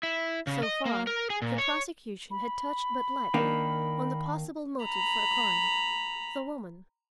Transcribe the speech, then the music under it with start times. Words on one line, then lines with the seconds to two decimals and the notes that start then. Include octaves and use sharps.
So far, the prosecution had touched but lightly on the possible motive for a crime--the woman.
0.03 E4
0.47 C#3
0.63 D#5
0.85 A#3
1.07 A#4
1.30 G#4
1.42 A#2
1.58 C#5
2.31 B5
3.34 D#3 A#3 D4
4.83 A#5 B5